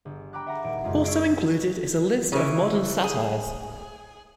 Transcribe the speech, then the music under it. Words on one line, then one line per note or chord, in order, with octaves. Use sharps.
Also included is a list of modern satires.
G1
G5 A#5 B5 D6 F#6
E5 F#5 A#5
D#1 D7
F#1 F#2 G#3 F4 B6
C#6 E6 G#6 B6 C7 D7
C#3 E3
G#4